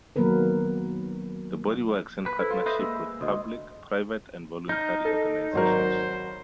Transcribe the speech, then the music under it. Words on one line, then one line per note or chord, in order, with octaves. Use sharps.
The body works in partnership with public, private and voluntary organisations.
D#3 F#3 A#3 B3 A#4 B4
B4
E4 A4 B4 C5
F4
B4 C5 D#5 E5 B5
G#3 A#3 E6
D2 D#5 C6 D#6
D#4 F6 G6
A4
G#1 F#3 A#4 C5